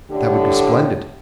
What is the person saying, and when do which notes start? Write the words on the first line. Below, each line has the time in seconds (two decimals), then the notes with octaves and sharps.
"That would be splendid."
0.10 A2 D3 G4